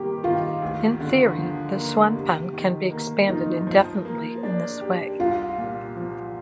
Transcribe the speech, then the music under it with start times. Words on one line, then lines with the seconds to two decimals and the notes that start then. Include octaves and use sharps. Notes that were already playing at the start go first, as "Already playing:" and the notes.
In theory, the suanpan can be expanded indefinitely in this way.
Already playing: D#3 G3 A#3 G4
0.23 D#3 F4
0.62 D2
1.00 D3
1.38 F3
1.76 A#3
2.15 C3
2.53 D#3
2.90 A#3
3.29 D#4 F4
3.67 F3
4.05 A#3
4.43 D4
4.81 G4
5.20 C2 F4
5.58 A#2
5.96 F3